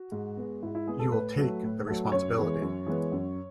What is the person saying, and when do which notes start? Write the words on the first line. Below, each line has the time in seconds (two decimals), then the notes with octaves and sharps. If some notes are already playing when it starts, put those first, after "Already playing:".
You will take the responsibility.
Already playing: F#4
0.12 G#2
0.37 G#3 B3
0.63 G#2 E4
0.75 E4
0.87 G#3 B3 G#4
0.99 A4
1.12 A2 B4
1.38 F#3 A3
1.63 A2
1.87 F#3 A3
2.12 F#2 C#5
2.38 E3 G#3 B3
2.62 F#2
2.86 E3 G#3 B3
3.12 F#2